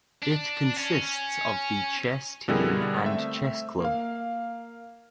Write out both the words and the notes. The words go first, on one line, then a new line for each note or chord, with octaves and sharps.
It consists of the Chess Team and Chess Club.
D4
C#4
B2 D3 G3 E4 G#4 A#4
A3 C4 E5
A#3 F5